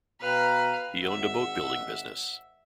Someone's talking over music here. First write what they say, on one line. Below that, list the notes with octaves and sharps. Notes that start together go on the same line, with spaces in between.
He owned a boat building business.
B2 B4 F5 G5 A#5
G#1 E5 F#5